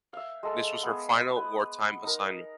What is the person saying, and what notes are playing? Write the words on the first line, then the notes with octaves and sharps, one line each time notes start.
This was her final wartime assignment.
E5 F5
G#3 A4
B3 G#4
B4
D#4 A#4